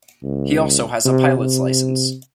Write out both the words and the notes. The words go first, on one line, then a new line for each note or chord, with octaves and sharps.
He also has a pilot's licence.
C#2
C3
C3